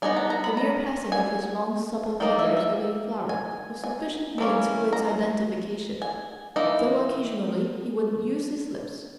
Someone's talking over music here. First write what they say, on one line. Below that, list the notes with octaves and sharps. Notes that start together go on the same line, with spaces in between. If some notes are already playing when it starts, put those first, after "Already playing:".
The mere passing of his long supple fingers over a flower was sufficient means for its identification, though occasionally he would use his lips.
G3 B3 D#4 G#5
A#5
A#5
B5
A#5
G#5
G3 A#3 D#4 G5
E5
E5
G#5
G#5
E3 A#3 C#4
A#5
G#5
E3 A#3 D#4